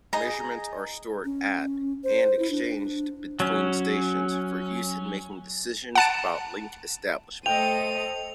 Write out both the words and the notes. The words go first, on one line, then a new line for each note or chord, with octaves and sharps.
Measurements are stored at-and exchanged between-stations, for use in making decisions about link establishment.
D#4 G#4 A#5
C#4
C5
E4
D4
F#3 C#4
F#5 A5 D7
A3 A4 C5 D#5 G5 D#7 F7